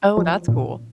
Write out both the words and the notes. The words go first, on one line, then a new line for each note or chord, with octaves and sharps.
Oh, that's cool.
F3
A#2